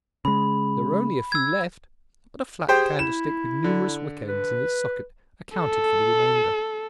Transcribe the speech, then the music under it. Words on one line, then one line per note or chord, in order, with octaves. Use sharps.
There were only a few left, but a flat candlestick with numerous wick-ends in its socket accounted for the remainder.
C#3 G#3 B5
E6 G#6
G4 G#4 C5 G5
E4 E7
D3
B4
A4